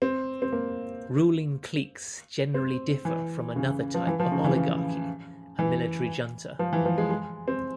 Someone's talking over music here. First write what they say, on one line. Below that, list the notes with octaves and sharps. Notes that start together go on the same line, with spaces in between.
Ruling cliques generally differ from another type of oligarchy: a military junta.
C4
C4
A#3
C4
E3
C#3
F3
E3
F3
C#3
E3
C#3
E3
F3
E3
F3
G#3
G#3
C4